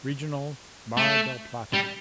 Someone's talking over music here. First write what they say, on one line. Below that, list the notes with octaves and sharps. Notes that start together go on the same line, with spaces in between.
Regional Mar del Plata.
A3
G3